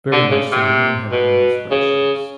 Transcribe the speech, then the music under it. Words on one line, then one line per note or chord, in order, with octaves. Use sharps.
very much so, we lean heavily on spreadsheets.
D3
C#3
C3
B2
C#3